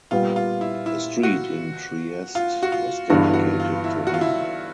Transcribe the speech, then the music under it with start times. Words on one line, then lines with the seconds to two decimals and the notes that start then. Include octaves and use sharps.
A street in Trieste was dedicated to him.
0.11 A#2 G3 B3 F4
0.36 F4
0.61 E4
0.86 E4
1.23 F#4
2.35 F4
2.63 F#4
2.72 F4
3.10 G1 G2 E3 F#4
3.34 F#4
3.60 F4
3.84 E4
4.07 F#4
4.14 F4
4.21 E4